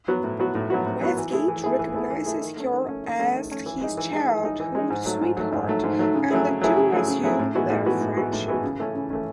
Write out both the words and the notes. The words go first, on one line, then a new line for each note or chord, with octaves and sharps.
Westgate recognises her as his childhood sweetheart, and the two resume their friendship.
F#3 B3 F#4
A2
F#3 B3 F#4
A2
F#3 B3 F#4
A2
F#3 B3 F#4
E3
A3 E4 G#4
E3
A3 E4 G#4
E3
A3 E4 G#4
E3
A3 E4 G#4
D#3
A3 C#4
D#3
A3 C#4
D#3
A3 C#4
D#3
A3 C#4
E3
G#3 D#4
E3
G#3 D#4
E3
G#3 D#4
E3
G#3 D#4
G#2
F#3 A3
G#2
F#3 A3
G#2
F#3 A3
G#2
F#3 A3
C#3
F#3 A3 E4 G#4
C#3
F#3 A3 E4 G#4
C#3
F#3 A3 E4 G#4
C#3
F#3 A3 E4 G#4
A2
E3 G#3 B3 F#4
A2
E3 G#3 B3 F#4
A2
E3 G#3 B3 F#4
A2
E3 G#3 B3 F#4
C#3
E3 A3 C#4
C#3
E3 A3 C#4